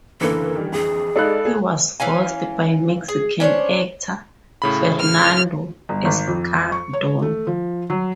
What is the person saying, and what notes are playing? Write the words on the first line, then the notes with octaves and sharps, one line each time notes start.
He was voiced by Mexican actor Fernando Escandon.
F#1 D3 E3 A#3 A4 B4
D#3 G3
A#1 F2 G#4
G#3 D#4 A4 D5 F5 B5 F#6
G#4
E3 C#4 F5 G#5
G#4
C#4 D4 C5 C#5
A2 C#3 B5
F6
G1
G#1
F2
C#6
C#5
A3
F3
F#3